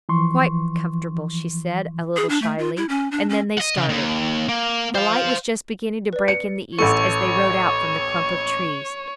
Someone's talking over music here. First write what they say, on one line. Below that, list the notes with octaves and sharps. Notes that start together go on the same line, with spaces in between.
"Quite comfortable," she said, a little shyly, and then they started. The light was just beginning to break in the east as they rode out from the clump of trees.
E3 F3 C6 C#6
G#4
D4
A3
F4
E4
C#4
D4
C#4
D#5 F#5
C#3
D#2
A#3
C5 F5
B4 D5
C#7
A1 A3 A4 C#5 C#6